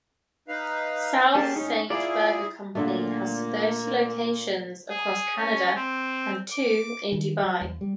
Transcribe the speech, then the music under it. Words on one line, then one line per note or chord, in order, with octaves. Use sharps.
South Saint Burger Company has thirty locations across Canada and two in Dubai.
D#4 B4 F5
A#3 C#4 G4 G#4 A5
A2 C#4 D#4
E4 F4 G#4 D5
A#2 D3 A3 A#3
G#4
C#4
C4
D6
D#3
F#3
E2
G3